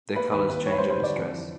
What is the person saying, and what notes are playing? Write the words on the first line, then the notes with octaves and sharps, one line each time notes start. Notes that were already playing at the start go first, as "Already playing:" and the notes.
Their colors change under stress.
A#3 B4
D#2 B4
D#2 B4
D#2 C#5
B4
C5
G3
C5
D3 D5
F2
E3